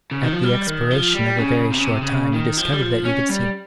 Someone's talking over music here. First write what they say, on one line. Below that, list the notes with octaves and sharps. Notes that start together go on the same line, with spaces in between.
At the expiration of a very short time you discovered that you could see nothing.
C#3
D#3
F3
G3
D#3
F3
G3
C#3
C3
C#3
C3
C#3
D#3
F3
G3
F3
C#4
G3